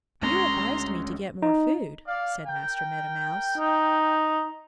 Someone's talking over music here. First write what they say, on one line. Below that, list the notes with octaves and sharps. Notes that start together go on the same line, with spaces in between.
"You advised me to get more food," said Master Meadow Mouse.
D2 G#3 C#4 A#5 C6
D#4
D5 F5
A#4 G5
D#4